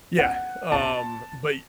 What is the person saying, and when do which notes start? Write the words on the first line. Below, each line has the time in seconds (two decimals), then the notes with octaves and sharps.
Yeah, um, but y
0.19 F#5
0.72 A5